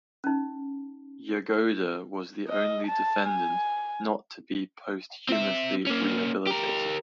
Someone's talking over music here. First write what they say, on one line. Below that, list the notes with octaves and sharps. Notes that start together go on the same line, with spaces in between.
Yagoda was the only defendant not to be posthumously rehabilitated.
C#4 D#4
D#5
A5
G#5
C4 E5
A#3 C#4
G4 A#4